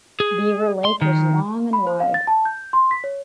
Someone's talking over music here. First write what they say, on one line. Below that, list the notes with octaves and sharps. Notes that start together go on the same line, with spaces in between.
Beaver Lake was long and wide.
G#4
C6
D#3
B5
C5
F5
A6
A5
G6
C6
B6
C#5